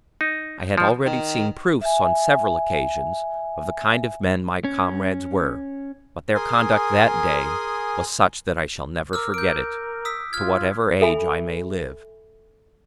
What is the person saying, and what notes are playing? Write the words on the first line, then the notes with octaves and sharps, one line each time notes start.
I had already seen proofs on several occasions of the kind of men my comrades were, but their conduct that day was such that I shall never forget it, to whatever age I may live.
D#4
F3
D#3
E5 G#5
C#4
G#4 A#4 G#5 C6 D#6
A#4 D6 E6 F6
A#4 G6 D7
D#6 E6 B6
F4 F6 G#6
A4 E5 G#5 B5